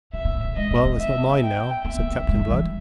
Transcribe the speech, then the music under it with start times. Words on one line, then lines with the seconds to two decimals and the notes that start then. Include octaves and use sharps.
"Well, it's not mine, now," said Captain Blood.
0.13 B2 E5
0.25 A#2
0.35 B2
0.45 A#2
0.56 G#3 D#5
0.71 A#3
0.85 B3
0.99 B3 E5
1.42 G5
1.85 B3 E5
1.99 A#3
2.14 A#3
2.29 G#3
2.39 G3
2.50 E3